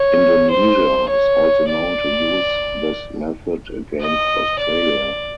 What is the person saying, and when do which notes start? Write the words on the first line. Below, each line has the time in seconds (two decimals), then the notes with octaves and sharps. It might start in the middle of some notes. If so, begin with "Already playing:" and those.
Indonesia is also known to use this method against Australia.
Already playing: C#5
0.51 C5
1.10 C#5
1.68 D5
4.01 D#5
4.60 D5